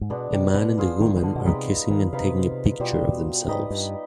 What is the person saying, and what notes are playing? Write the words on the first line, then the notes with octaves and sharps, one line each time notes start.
A man and woman are kissing and taking a picture of themselves.
G#2
B2 G#3 B3 D4
C3
B2
B3 F4 G#4 C5
D#3
D#3
D3
B2
C3 G#3 B3 D#4 B4
D#3
C3 D#4 B4 F5
B2 G3 B3 F4 C5
G#2 D#4 G4 B4 D#5
G2